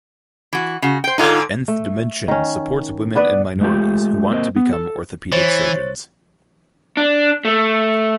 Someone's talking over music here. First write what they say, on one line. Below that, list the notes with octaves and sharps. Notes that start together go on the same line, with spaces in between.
Nth Dimensions supports women and minorities who want to become orthopaedic surgeons.
E3 F#4
C#3 F#4
C5 G5
G#2 D3 D#4 F4 C#5
A3
D#3 C#4
B3 D4 B4 D5
G#3 A3 F4 G4
A#3 C4 D#5
B3
A4
E3 C5 C#5 A6
D4
A3